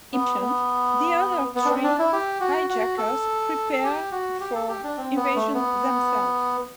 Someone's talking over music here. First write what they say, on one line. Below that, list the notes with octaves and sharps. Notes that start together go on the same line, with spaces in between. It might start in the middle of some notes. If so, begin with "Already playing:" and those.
Impatient, the other three hijackers prepare for invasion themselves.
B3
B3
B3
D4
C4
D4
E4
G4
F#4
F#4
A4
A4
G4
F#4
G4
A4
G4
D4
C4
B3
A3
B3